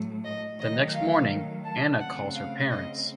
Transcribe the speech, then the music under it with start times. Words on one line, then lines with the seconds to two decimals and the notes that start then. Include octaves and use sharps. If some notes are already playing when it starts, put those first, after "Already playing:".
The next morning, Anna calls her parents.
Already playing: A2 F#3 A3
0.24 D#5
0.59 D#3 F#3 A3 D#5
0.94 F5
1.64 A5
1.99 C#3 A3 C4 F#5
2.35 F5
2.69 D#5